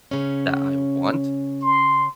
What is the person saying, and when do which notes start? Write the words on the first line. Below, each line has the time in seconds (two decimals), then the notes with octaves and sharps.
that I want
0.11 C#3 C#4
1.62 C6